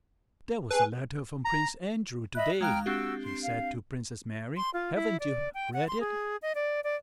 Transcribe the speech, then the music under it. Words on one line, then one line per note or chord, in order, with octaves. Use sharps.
"There was a letter from Prince Andrew today," he said to Princess Mary- -"Haven't you read it?"
C#4 G#4 A4 B4
A#5
D#5 E5 B5 F#6
G#3 F5 G5 A#5 F6 F#6
C4 D4 F#4 G4 E6
C6
F5
C6
F4
E4
D5
G5
F#5
C6
G#4
D#5
D5
D5